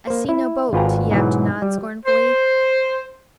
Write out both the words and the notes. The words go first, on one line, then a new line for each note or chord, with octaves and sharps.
"I see no boat," yapped Nod scornfully.
A#3 C5
E4
G#1 F4 B4 G5 G#5 A#5
G#2 B2 E3 F#3
G3
C5